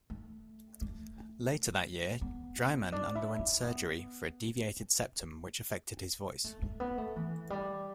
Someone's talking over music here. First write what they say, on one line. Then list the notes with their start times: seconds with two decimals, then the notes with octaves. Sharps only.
Later that year, Draiman underwent surgery for a deviated septum which affected his voice.
0.10 A3
0.81 A3
2.21 B3
2.92 D4
3.15 E4
3.39 E4
3.63 B3
6.44 A3
6.62 A3
6.80 B3
6.98 A3
7.16 E3
7.50 G3